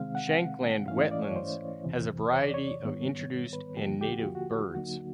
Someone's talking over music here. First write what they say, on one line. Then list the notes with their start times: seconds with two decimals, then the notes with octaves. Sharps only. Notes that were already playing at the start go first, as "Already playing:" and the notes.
Shankland Wetlands has a variety of introduced and native birds.
Already playing: C3 D#3 G#3 C4 F5
0.15 F#5
0.88 G#2 E3 A3 C#4 E4 F5
1.00 D#5
1.11 D5
1.24 C#5
1.36 C5
1.84 E2 C3 E3
2.32 C#5
2.44 D5
2.54 C#5
2.80 G#2 D#3 G3 B3
3.53 B4
3.77 D#2 D3 F3 A#3 G4
4.01 G4
4.13 F#4
4.24 F4
4.35 F#4
4.74 D2 D3 F#3 A#3 D#4 F#4